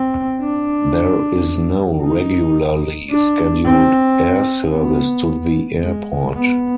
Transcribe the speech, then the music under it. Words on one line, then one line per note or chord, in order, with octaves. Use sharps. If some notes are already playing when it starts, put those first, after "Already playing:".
There is no regularly scheduled air service to the airport.
Already playing: C4
D4
D#4
D4
C4
B3
G#3
B3